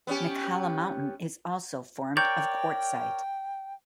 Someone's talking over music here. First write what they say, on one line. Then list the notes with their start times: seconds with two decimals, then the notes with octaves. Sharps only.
Knockalla Mountain is also formed of Quartzite.
0.07 B3 C#4 G4
2.17 A#4 C#5 D5 G5 G6